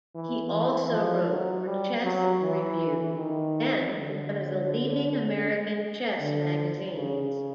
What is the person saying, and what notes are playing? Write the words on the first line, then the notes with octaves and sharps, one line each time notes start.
He also wrote for "Chess Review", then one of the leading American chess magazines.
E3
E3
F3
F#3
G3
F#3
E3
D#3
D3
D3
C#3